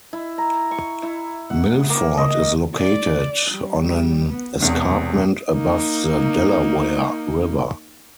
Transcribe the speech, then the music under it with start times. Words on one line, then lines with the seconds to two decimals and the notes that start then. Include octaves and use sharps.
Milford is located on an escarpment above the Delaware River.
0.13 E4
0.38 A#5
0.71 C#6
1.03 E4
1.50 F#5
1.90 A#3
2.18 D#5
2.75 D5
3.50 G3
4.29 B3
4.60 E1 E2 C3 B3
5.53 A#3 D#4